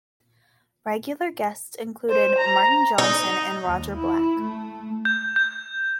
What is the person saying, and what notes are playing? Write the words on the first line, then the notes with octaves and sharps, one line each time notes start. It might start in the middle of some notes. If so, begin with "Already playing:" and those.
Regular guests included Martin Johnson and Roger Black.
C5
A#5
D#4
D#2
E4
A3
G6
G6